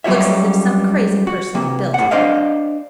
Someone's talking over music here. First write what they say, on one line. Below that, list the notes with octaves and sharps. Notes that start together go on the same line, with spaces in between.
Looks as if some crazy person had built it.
C#2 F#3 G3 F#4 C#5 E5
F#4
C3 A#3
A2 F#5
D4 C5 D5 D#5 F5